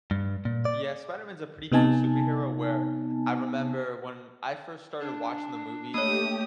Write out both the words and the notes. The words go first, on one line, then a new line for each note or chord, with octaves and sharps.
Yeah, Spider-Man's a pretty cool superhero, where I remember when I first started watching the movies,
G2
A#2
D5
C3 B3 D#4 G#5 A5
D4
A3 A#3 G4 C#5 D#6